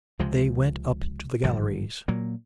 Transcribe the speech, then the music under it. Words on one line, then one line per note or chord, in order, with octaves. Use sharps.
They went up to the galleries.
C#2 C3 F3 G#3
G#1 G2 D3 F3
A#2 F#3 A#3